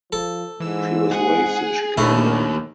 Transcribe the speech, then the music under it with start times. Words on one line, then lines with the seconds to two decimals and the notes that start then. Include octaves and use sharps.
She was raised in Chicago.
0.13 F3 A4
0.60 G#2 E3 E6
1.11 G#4 F#5
1.97 D#2 A#2 A3 D4 E4